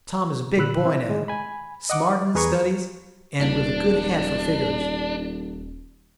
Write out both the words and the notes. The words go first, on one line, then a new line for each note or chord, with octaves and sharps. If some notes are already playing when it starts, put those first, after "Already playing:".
Tom is a big boy now, smart in his studies and with a good head for figures.
A#2 D3 B5 E6 F#6
C4 E4
D#3 G#3
G#5 B5
D#5 F#5 D6
E2 G#4 B4 A#5 C#6 G#6
D#1 D4